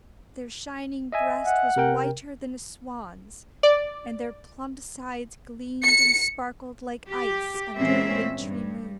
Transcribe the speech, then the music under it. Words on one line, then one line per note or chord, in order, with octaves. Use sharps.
Their shining breast was whiter than a swan's, and their plump sides gleamed and sparkled like ice under a wintry moon.
D#5 E5 G#5
F#5
C3 A#4 G5
D5
C#7
G4
A#2 E3 G#3 C4 C#4 E5
G2